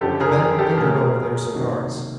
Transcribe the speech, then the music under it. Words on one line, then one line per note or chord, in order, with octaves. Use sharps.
The men lingered over their cigars.
F#2 D3 F3 G4 A4
G#4 A#4
G#4 A#4
G4 A4
B2 F#3 A3 G#4 A#4
G#4 A#4
G#4 A#4
G#4 A#4
C3 D#3 F#3 A#3